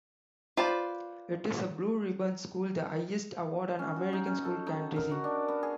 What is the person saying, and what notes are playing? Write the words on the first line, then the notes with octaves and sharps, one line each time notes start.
It is a Blue Ribbon School, the highest award an American school can receive.
F4 B4 C5 D5
C#4
F#4
D#4
C#4
A4
D#4
A#4
F#4
D4
B3
G#4